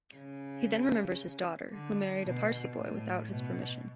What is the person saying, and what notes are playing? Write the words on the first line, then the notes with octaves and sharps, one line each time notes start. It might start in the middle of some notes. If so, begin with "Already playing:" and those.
He then remembers his daughter, who married a Parsi boy without his permission.
C#3
D3
B2
A2
B2